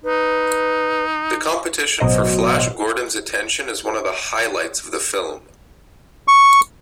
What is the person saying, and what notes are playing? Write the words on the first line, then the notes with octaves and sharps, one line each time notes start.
The competition for Flash Gordon's attention is one of the highlights of the film.
D#4 B4
A1 B2 F#3 C5 D#5
C#6